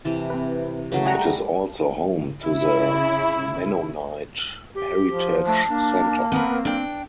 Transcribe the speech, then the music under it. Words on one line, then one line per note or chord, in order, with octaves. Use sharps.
It is also home to the Mennonite Heritage Center.
C3 E3 A5
C4 B4
C#3 E3 F#3 A3
G3 G#4 F#5 A#5
C#3 E4
G4
F3
A3 A5
A#3 D4
B3 C4 A#4 B4
D4 G5